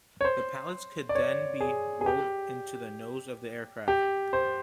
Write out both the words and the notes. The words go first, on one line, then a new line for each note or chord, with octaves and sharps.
The pallets could then be rolled into the nose of the aircraft.
C#5
C5
D5
C#5
G#4
G#4
G4
G4
C5